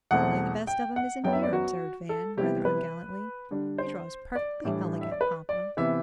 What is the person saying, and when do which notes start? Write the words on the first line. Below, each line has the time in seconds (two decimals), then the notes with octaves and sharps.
"Only the best of 'em isn't here," observed Van, rather ungallantly, "he draws perfectly elegant, papa!"
0.11 E2 B2 A3 C4 F#5
0.67 G5
0.96 F#5
1.23 F#2 F#3 B3 G5
1.33 E5
1.43 D5
1.53 F#4
2.09 A4
2.37 C3 G3 B3 E4 G4
2.65 B4
3.51 D3 G3 D4
3.78 C5
4.35 D5
4.64 A2 E3 G3 D4
5.01 E5
5.11 D5
5.21 B4
5.49 D5
5.77 C3 E3 B3 E5